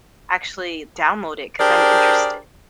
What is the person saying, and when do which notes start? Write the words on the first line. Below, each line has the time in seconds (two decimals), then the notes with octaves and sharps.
actually download it 'cause I'm interested
1.60 D4 G4 G#4 A#4 C5 D5